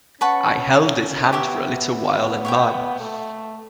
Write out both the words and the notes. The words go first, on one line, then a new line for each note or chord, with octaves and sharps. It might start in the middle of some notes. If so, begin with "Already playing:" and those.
I held his hand for a little while in mine.
C#4 B4 F#5 A5 C#6
B3 G4 C#5 E5
C#5 E5 G5
A3